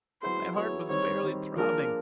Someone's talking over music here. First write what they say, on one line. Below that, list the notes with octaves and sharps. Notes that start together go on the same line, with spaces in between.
My heart was fairly throbbing.
F#3 B3 E4 G#4 C5
F#3 B3 E4 G#4 C#5
D#3 G3 C4 C#5
D#3 G3 C4
F3 A#3 D4 F4 G#4 A#4